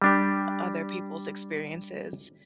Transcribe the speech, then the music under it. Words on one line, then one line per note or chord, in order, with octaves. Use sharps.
other people's experiences.
G3 D4 G4